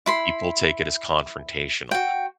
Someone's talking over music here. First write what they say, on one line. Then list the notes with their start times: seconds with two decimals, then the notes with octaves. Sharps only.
people take it as confrontational,
0.06 E4 B5 C6
1.91 F#4 G5